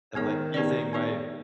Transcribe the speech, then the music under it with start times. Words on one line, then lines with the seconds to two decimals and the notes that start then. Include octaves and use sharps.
And, like, using my
0.15 D#3 B3 D#4 G#4 C#5
0.54 B3 D#4 G4 B4 D5
0.93 B3 D#4 G4 B4 D5